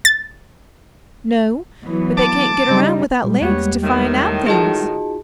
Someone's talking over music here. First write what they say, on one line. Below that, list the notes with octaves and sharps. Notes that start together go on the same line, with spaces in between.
"No; but they can't get around, without legs, to find out things."
A6
E3 F#3 B3
A5 D6
C#3 G3 D#4
A#2 G3 G#3
E2 A#3 B3 G4 C#5
A2 D#3
D#4 F4 F#4 G#4 D#5 A5